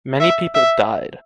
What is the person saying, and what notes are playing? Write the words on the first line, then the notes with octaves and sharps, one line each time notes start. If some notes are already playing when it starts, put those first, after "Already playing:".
Many people died.
E5
E5